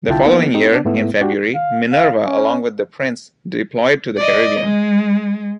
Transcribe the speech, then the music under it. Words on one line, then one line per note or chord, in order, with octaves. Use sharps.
The following year, in February, "Minerva", along with the Prince, deployed to the Caribbean.
C2 D3 E4 F4 G5 A5
F3 A#3 B3 D#4
C4 D#4 G4
B3 D4
G#2 A3 B3 E4
D4 F#4 G4
F5
F5
C#4
D5 D#5
G#3